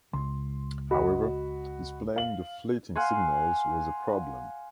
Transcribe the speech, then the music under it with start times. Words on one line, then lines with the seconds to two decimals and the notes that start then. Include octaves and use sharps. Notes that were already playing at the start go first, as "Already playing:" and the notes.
However, displaying the fleeting signals was a problem.
0.13 C#2 C6
0.91 F#4 D#5 B5
2.16 F5 F#7
2.96 F5 F#5 G#5 C6